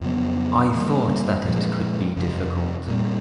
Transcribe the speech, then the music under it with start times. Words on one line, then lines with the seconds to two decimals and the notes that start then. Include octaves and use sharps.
I thought that it could be difficult.
0.01 F2 C#3 F#3 B3
0.73 C#3 E3 G3 A#3
1.45 A#2 F3 G#3
2.17 F2 C3 F3
2.88 A#2 G3 C4